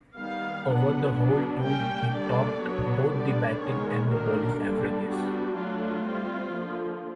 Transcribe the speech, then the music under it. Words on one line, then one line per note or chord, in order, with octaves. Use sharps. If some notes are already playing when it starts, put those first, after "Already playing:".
Over the whole tour he topped both the batting and the bowling averages.
D#3 G3 B3 F5
F#3 B3 D4 F#5
F#3 B3 D4
G3 A#3 C#4 G5
D3 G3 A#3 D4 D5
F#3 B3 D4 C#5
D3 G3 B3 D4 D5
D#3 G#3 B3 C#5
D#3 F#3 A#3 D4 A#4
D3 G3 A#3 D4 A4
G3 B3 D4 F#4
F#3 A3 D4 F4
G3 C4
D3 F3 A#3